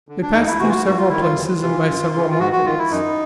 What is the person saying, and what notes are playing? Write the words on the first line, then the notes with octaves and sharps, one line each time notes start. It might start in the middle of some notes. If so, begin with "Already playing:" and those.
They passed through several places, and by several markets.
D3
D4
E2 D#4
E4
C3 E3 F#4
F4
F#4
G2 F#4
F4
D#3 E4
F4
E2
C3 E3 F4
F#2
C#3 E3
F4
G#2 F#4
F#4
D#3 F4
E4
F#2 D#4